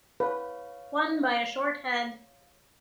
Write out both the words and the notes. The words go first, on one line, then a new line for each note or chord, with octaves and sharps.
Won by a short head.
B4 C#5 F5